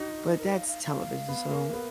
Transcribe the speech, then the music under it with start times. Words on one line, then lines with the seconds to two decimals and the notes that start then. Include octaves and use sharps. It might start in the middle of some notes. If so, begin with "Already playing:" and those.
But that's television, so
Already playing: D#4 F#4
0.39 A#4
0.54 F5
0.68 F5
0.84 F5
1.28 B3
1.51 A#3
1.73 B3